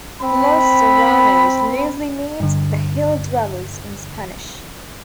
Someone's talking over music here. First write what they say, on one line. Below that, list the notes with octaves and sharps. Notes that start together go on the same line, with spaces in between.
Los Serranos loosely means "the hill-dwellers" in Spanish.
C4 B5
G2 D3